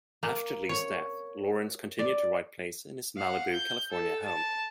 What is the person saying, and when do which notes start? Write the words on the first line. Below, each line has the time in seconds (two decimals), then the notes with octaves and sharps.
After Lee's death, Lawrence continued to write plays in his Malibu, California home.
0.23 A#3
0.69 C#5
1.99 D5
3.17 F5 F#5
3.53 G6
3.91 A4
4.23 A5